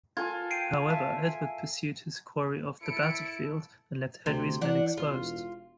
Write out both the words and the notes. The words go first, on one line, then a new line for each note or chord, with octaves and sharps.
However Edward pursued his quarry off the battlefield and left Henry's men exposed.
F4 A4 G#5 G#6
G5 C7 D7 D#7
E5 A5
G#5
E4 A4 C#7 D7
D2 C3
E3 D4 F#5
E1 F4